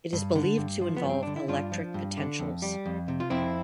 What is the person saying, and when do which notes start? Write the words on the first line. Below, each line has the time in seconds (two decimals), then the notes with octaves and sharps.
It is believed to involve electric potentials.
0.13 G2
0.35 D3
0.58 G2
0.81 F3
0.96 B3
1.03 G2
1.09 C4
1.23 D3 D4
1.36 E4
1.48 G2 D4 F4
1.72 F3
1.94 G2
2.17 D3
2.39 F2
2.62 G3
2.86 F2
3.08 C3
3.20 F4
3.30 F2 C4 E4